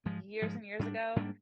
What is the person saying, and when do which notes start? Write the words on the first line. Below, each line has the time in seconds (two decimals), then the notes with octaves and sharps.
Years and years ago,
0.05 G#2 F3 G#3
0.42 G#2 F3 G#3
0.79 G#2 G3 A#3 D4
1.16 G#2 G3 A#3 D4